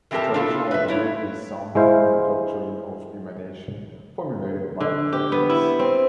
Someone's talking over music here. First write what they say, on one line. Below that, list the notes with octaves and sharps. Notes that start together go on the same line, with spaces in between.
The traditional view is summed in the doctrine of emanation formulated by Plotinus.
E3 A3 C4 G4 A#4 A5
D4 E4 F4 A4
B4 E5
A3 E4 C#5
G#3 E4 C5 F5
D3
G4
B3
E4
C4